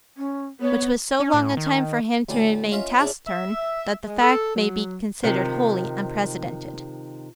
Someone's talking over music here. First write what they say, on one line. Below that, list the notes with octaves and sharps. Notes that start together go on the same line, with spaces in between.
Which was so long a time for him to remain taciturn, that the fact may be considered wholly unprecedented.
C#4
B3 C#5
C#4
A2
D#3
D2 A2 D5 G#5
C#4 F4 D#5 E5 C6
C#4 D4 E4 G#4 D5
E5
G#3
A4
F#3
C3 D#3 F3